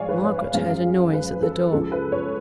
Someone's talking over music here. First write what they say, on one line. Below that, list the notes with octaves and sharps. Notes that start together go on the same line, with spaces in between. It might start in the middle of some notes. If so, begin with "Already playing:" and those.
Margaret heard a noise at the door.
Already playing: G#2 F3 G#3 C#5 D5 F5 G#5
B4
C#5
F5
F#2 F3 G#3 F5
B4
A4
C#2 C#3 F3 G#3 A4
B4
C#5